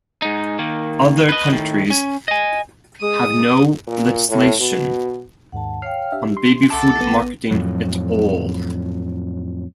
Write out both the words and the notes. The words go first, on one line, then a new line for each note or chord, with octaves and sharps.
Other countries have no legislation on baby food marketing at all.
G#2 D#4
D#3 A#3
B4 D#5
A2 D#3
C#4
D#5 G#5
G#3 D#6
A#2
A2
B2
D#2 G#2 D#3 F#5 A5
C#5 F5 G5 F6 C7
D4 G4 E5
C6
C2 A4 E5 F#5 A5 D6 D7
A1 B3 A#6 D#7
F2 A2 F#3